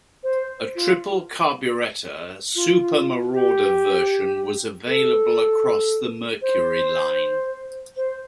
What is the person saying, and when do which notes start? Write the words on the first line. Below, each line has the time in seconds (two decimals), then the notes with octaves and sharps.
A triple-carburetor"Super Marauder" version was available across the Mercury line.
0.23 C5
0.75 F4
2.56 F4
3.33 G4
4.87 A4
6.42 C5
7.97 C5